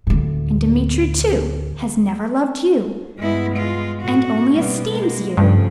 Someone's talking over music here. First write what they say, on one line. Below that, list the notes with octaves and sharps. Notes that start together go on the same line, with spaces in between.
And Dmitri, too, has never loved you ... and only esteems you....
D2 A2
G2 G#3 B3 E4
G#3 F4
A2 F#4
B2 G3 A#3 B3
G#3 A#3
G2 C#3 F3 A3